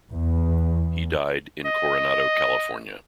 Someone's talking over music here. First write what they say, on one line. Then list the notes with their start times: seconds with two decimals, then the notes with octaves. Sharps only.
He died in Coronado, California.
0.11 E2
1.65 D#5